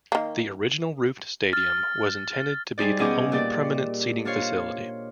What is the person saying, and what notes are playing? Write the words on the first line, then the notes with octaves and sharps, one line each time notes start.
The original roofed stadium was intended to be the only permanent seating facility.
D#3 A#3
F6 A6
G3 D#4 G#4 C5 D5
B2 C#4 G#4 D#5 D6 G6
A#2 G4 D5
D4 F4 C5 C#5 F5